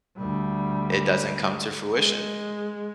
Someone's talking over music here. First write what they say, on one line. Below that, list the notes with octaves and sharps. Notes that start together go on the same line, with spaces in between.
it doesn't come to fruition.
D2 G3
G#3